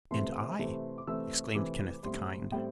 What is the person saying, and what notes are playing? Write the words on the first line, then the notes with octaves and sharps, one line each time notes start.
"And I," exclaimed Kenneth the Kind.
C3 E3 A3 C4 C6
C3 E3 A3 C4
D6
C3 E3 A3 C4 E6
C3 E3 A3 C4 D6
A2 G3 C4 C6
A2 G3 C4 G5